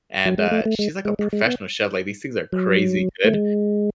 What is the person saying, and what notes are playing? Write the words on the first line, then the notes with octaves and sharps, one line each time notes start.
and, uh, she's, like, a professional chef, like, these things are crazy good,
F#3
G#3
A3
A3
G#3
G#3
G#3
G#3
B3
F#3
A3
G#3